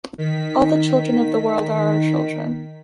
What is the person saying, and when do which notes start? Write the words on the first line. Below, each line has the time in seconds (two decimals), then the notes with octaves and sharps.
All the children of the world are our children.
0.18 D#3 B6